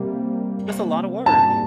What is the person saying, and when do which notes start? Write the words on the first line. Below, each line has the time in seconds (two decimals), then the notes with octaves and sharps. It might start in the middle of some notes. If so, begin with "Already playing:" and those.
That's a lotta work.
Already playing: C3 G3 A#3
1.26 A5